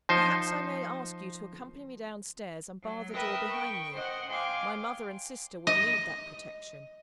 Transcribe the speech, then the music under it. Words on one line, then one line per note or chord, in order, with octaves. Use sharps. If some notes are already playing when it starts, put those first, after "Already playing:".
Perhaps I may ask you to accompany me downstairs, and bar the door behind me; my mother and sister will need that protection.'
F3 D#4 C5
F#3
A#4 B4 D#5 E5 G5
G5 C#6
C5 D#5 F#5
F5 G5 G#5 C6 D6
D#5